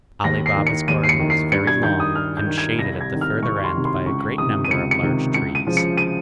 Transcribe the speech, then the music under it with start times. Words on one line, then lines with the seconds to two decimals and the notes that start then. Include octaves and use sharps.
Ali Baba's garden was very long, and shaded at the further end by a great number of large trees.
0.24 D#2 A#6
0.46 C7
0.56 D#3
0.67 C#7
0.88 D#2 D#7
1.03 C7
1.09 C#7
1.20 D#3
1.30 C7
1.52 G2 C#7
1.67 G#6
1.83 D#3 G6
2.00 D#6
2.15 G2 F6
2.37 G6
2.47 D#3
2.58 G#6
2.79 C2 A#6
3.01 G#6
3.11 C3 D#3
3.21 F6
3.43 C2 C#6
3.56 C#6
3.64 C6
3.75 C3 D#3
3.85 C6
4.06 C#2 C#6
4.38 C3 D#3 D#6
4.65 D#7
4.71 C#2 C#7
4.91 C#7
5.02 C3 D#3
5.34 C#2 C#7
5.55 D#7
5.67 C#3 F3
5.77 C#7
5.97 D#7